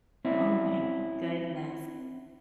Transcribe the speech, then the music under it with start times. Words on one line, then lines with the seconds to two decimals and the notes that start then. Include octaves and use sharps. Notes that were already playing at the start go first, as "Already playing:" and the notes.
Oh my goodness.
0.25 C4 C#4 E4